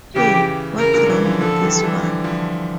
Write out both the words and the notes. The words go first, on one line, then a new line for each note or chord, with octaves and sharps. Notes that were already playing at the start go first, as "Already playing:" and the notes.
Hey, What's Wrong with This One?
C#3 E3 G4
C#3 A#4
A#2 D3
C#3 E3
D3 F3
D3 F3 A4
E3 G3
E3 G3
D3 F3
D3 F3